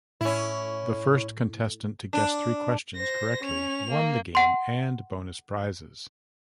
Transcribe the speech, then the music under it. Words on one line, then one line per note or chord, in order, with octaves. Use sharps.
The first contestant to guess three questions correctly won the game and bonus prizes.
A2 C#4 E4
D4
C5 A#6
C#4 F7
A#3
F#5 C6